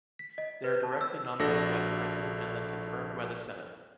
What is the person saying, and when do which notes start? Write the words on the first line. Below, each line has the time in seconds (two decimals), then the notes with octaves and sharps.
They are directly nominated by the President and then confirmed by the Senate.
0.19 B6
0.38 D#5
0.64 B4
0.83 A5
1.01 E6
1.39 A#1 D4 F#4 A4 A#6